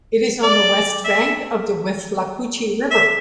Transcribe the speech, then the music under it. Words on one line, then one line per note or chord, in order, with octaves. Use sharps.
It is on the west bank of the Withlacoochee River.
D5
E5
E5